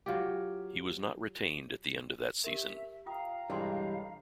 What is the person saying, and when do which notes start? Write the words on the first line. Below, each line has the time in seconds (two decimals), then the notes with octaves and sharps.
He was not retained at the end of that season.
0.06 F#3 F4 G4
2.44 G4 A#4 E5
3.06 F4 F5 G5 A#5 D#6
3.50 B1 G2 E3 G3 G#3 D4 C6